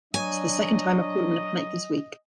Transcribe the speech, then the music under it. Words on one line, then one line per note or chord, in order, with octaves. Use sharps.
This is the second time I have called him in a panic this week.
F#3 D4 D#5 G#5